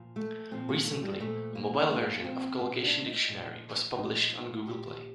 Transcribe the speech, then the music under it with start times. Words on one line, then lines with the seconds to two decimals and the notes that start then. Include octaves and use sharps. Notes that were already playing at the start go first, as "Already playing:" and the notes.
Recently, a mobile version of Collocation Dictionary was published on Google Play.
Already playing: A#2 F3
0.16 A3
0.51 A#2 F3 C4
0.69 A#3
0.86 A3
1.03 G3
1.20 A#2 F3 A3
1.55 A#3
1.90 A#2 F3 A#3
2.24 C4
2.59 A#2 F3 F4
2.83 D4
3.06 D#4
3.28 A#2 F3
3.97 A#2 F3 D#4
4.33 F4
4.67 A#2 F3 G4